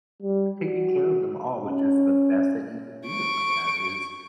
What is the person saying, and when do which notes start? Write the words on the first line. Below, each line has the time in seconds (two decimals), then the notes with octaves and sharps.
taking care of them all, which is the best that you can do, and that is,
0.22 G3
0.60 F#4
1.63 C#4
3.07 C#6 D7